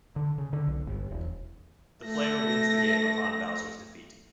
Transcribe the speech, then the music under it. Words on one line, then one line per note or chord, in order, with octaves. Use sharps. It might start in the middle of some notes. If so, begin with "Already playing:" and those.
The player wins the game upon Bowser's defeat.
D3
C#3
D3
B1
G1
E1
A3 A#6